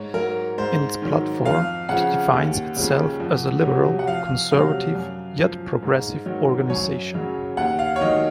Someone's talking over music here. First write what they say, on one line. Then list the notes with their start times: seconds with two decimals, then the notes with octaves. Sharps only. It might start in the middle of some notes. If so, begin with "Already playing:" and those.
In its platform, it defines itself as a liberal, conservative, yet progressive organization.
Already playing: G#2 C#5
0.14 F#3 A#4
0.58 G#2 C5
1.02 D#3 F#3
1.45 F2 F5
1.89 C#3 F3 F#5
2.33 D#2
2.76 C#3 F3
3.20 F2
3.63 C3 F#3
3.99 F#5
4.07 F2 F5
4.51 C3 F#3 F5
4.95 F#2
5.38 F3
5.82 G#2
6.26 D#3 F#3
6.70 F#2 C#5
7.14 C#3 F#3
7.57 D#2 F#5
7.79 F5
7.96 C#5
8.01 D#3 F#3 D#5